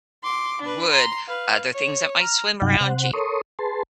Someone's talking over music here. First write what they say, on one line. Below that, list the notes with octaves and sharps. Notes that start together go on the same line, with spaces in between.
wood, other things that might swim around you.
C6 D6
D4 B4
A#5 C6
B4 F5
C#5
A#5 F6
G2 C3 F#3 D#4 F#5 G5
C3 C5 F#5
A4 A#4 C#5 C6 C#6 D#6
G#4 B4 A5 C6